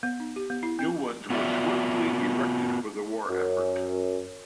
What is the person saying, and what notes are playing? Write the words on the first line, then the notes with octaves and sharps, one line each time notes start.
New ones were swiftly erected for the war effort.
B3
D#4
G4
B3
E4
C4
B3 F4 F#4 D5 E5
F#2